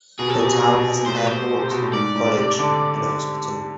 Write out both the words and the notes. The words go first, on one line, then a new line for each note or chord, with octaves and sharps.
The town has an airport, college, and a hospital.
B2 G#4
C3 A4
B2 G#4
C3
B2
C3
B2
A2 C5
B4
C5
C3
B2
A2
G#2 D5
A2
C3
D3